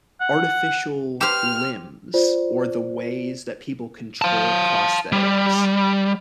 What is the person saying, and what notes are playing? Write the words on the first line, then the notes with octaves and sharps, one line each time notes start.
Artificial limbs or the ways that people control prosthetics,
F#5
G4 C5 F6
F4 C5 D5
F5 A5
G3